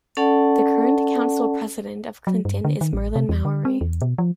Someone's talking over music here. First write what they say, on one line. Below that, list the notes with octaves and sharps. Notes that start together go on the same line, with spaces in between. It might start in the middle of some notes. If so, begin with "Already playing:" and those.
The current council president of Clinton is Merlin Mowery.
C#4 A4 D5 F#5 A5
F#3
G2
D3
D#3
A1
C3
E2
D3
C4
E2
B2
F3